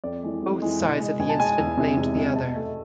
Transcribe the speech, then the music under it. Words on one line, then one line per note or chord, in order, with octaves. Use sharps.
Both sides of the incident blamed the other.
F2 D5
E3 G#3
F2
E3 G#3
B2
G#3
B2 G#5
A5
G#3 G#5
E2
C3 G#3
E2
C3 G#3
B2 A5
A3